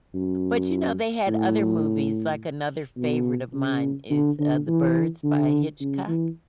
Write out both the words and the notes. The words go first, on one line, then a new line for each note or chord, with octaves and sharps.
But you know, they had other movies, like another favorite of mine is, uh, The Birds by Hitchcock.
F#2
A2
B2
C#3
D3
D3
E3
D3
C#3
E3